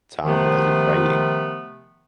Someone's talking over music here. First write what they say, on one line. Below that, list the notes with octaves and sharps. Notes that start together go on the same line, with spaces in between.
Tom wasn't writing.
C3 D#3 F3 A3 B3